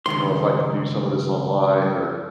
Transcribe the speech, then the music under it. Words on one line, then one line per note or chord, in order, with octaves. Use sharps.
you know, if I could do some of this online or
C#2 G2 D#3 C6